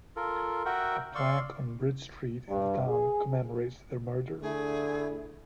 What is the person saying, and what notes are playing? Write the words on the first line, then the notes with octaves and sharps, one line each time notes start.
A plaque on Bridge Street in the town commemorates their murder.
F4 A4 A#4
F#4 A#4 E5 F#5 G5
D5 F5 C6 C#6 E6
G2
G#4
D3 A3 E4 G#4